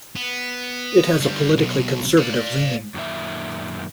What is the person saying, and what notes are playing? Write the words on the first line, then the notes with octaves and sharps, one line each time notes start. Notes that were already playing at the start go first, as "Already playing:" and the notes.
It has a politically conservative leaning.
B3
D3 G3
B1 B2
D5 F5
F#2 A#2 D#3 E5